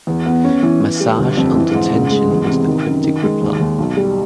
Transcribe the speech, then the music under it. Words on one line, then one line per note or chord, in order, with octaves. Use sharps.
Massage under tension, was the cryptic reply.
E2
B3
C#4
E3
E3
G3
G1
F2
E3
G#2
C#2
G#3
E2
C3
D#3
F#2
D#3
G#3
D#2
D#2
B1
G3